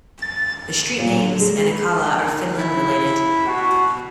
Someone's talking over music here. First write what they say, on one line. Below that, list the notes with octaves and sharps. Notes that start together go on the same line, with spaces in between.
The street names in Akalla are Finland related.
A6
A#2
D3
G#3
B4
D#3
E4
B2 F#4